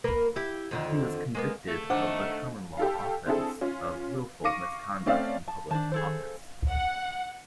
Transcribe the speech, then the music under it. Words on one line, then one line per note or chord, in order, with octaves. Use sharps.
He was convicted of the common law offence of wilful misconduct in public office.
A#3 A#4 B4
E4 G4
F2 D3 D#3
G#3 A#3 B3
A3
D#3 D4 C5 F#5 D6
G4 A4 F5
C4 D4 E4 G#4 A4
C#4 F4
F5 C#6 D6 A#6 C#7 D#7
A3 C4 C#4 D5 F5
A5
D#3 D4 C5 A5
G#4 A4 C5
F#5